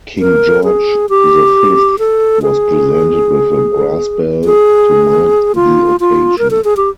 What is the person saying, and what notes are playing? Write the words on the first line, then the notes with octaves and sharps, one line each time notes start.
"King George the Fifth" was presented with a brass bell to mark the occasion.
A#4
G#4
G4
A4
G#4
G#4
F4
F4
A#4
A4
G#4
G4